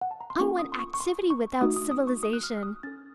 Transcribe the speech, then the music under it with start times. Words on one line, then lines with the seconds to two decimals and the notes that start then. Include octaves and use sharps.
I want activity without civilization.
0.01 F#5
0.11 A5
0.20 A#5
0.30 C6
0.39 A#3 C#4 F4 A4 C#6
0.59 D#6
0.72 C6
0.79 C#6
0.94 C#6
1.00 C6
1.30 C#6
1.61 A3 D#4 F#4 D#6
1.76 D#6
1.91 D#6
2.07 C#6
2.23 D#6
2.33 F#6
2.43 F6
2.57 F6
2.63 D#6
2.83 C#4 A4 A6